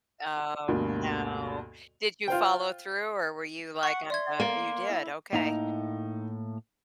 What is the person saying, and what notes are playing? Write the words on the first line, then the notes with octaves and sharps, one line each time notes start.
Oh no. Did you follow through or were you like, "I'm, uh" oh, you did? Okay.
D2 G2 B2 A#3
F4 C5 G5
F#5 C#6 B6 C#7
D5 E5 C6 G#6
A#3
E4
A2 A#3 D#4 A#5